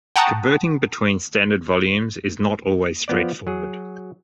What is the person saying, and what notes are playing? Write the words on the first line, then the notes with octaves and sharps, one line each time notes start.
Converting between standard volumes is not always straightforward.
F#5 G5 A5 A#5 C#6 D#6
F3 B3 D5
F#3 G#4